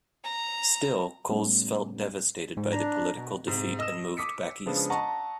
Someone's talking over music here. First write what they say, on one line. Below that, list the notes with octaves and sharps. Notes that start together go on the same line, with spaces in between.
Still, Coles felt devastated by the political defeat, and moved back east.
A#5
A2 G3 A3 B3 C#4
G#2
D4 A#5
B2
G#2 C3
D#5 E6 E7
D6 D#6 B6 C#7
C#3 F3 G#3 B3 D4
D#5 F#5 A5 A#5 C#6